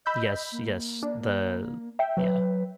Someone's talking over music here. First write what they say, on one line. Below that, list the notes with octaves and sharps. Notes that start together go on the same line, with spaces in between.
Yes, yes. The yeah.
D#5 B5 E6 G6
A#3
D4
E5 G5
F#3 B4